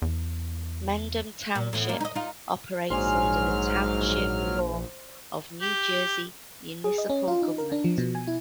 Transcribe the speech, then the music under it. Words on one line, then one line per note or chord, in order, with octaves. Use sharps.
Mendham Township operates under the township form of New Jersey municipal government.
E2
A#2
A2 E3 B3
G2 A#3 D4
D#4 D#5
D#4 F4
A#1 G#2 F#3 C5 D5 G#5 F6
G4
G#4
D#5
C#4
F4
D#4
A#4
D4
F3
B2
G#5
E4